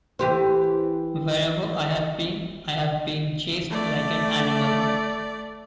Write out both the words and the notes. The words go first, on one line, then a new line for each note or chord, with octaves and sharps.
Wherever I have been, I have been chased like an animal.
E3 G4 C5
A3 D5